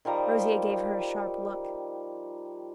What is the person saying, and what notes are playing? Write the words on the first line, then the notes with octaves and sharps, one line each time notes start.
Rosier gave her a sharp look.
D#3 F3 G3 A#5